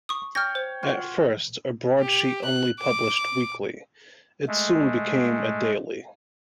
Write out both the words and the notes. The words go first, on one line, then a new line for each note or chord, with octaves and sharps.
At first a broadsheet only published weekly, it soon became a daily.
C#6 D#6
C#5 G5 F6 A#6
C5
F4 F#4
G4
F#6
D6
G#3 A3